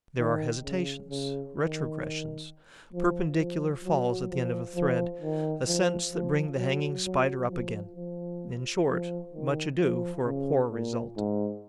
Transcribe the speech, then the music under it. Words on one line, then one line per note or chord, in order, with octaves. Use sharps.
There are hesitations, retrogressions, perpendicular falls at the end of a thread, ascents that bring the hanging Spider up again. In short much ado for a poor result.
D#3
C#3
C#3
D#3
F3
F3
F#3
F3
F3
D#3
F3
F3
F#3
F#3
F3
F3
F3
D#3
F3
C#3
A#2
G#2